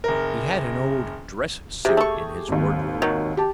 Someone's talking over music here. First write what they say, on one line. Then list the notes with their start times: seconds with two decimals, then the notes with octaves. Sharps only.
He had an old dress-suit in his wardrobe.
0.04 F#1 A#4
1.85 C3 G4 G#4
1.97 A3 C#6
2.49 G#1 D#2
3.02 D#3 F#3
3.37 G4 A5